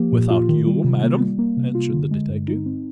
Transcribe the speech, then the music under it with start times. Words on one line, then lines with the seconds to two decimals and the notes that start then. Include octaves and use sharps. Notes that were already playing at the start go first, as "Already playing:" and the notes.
"Without you, madam?" answered the detective.
Already playing: F3 A#3 G4
0.12 A#2
0.30 F4
0.49 D#3
0.67 G3
0.84 C3
1.03 A#3
1.21 G3
1.39 A#3
1.57 C3
1.75 F4
1.94 D3
2.11 G#3
2.29 G2
2.48 D#4
2.66 C4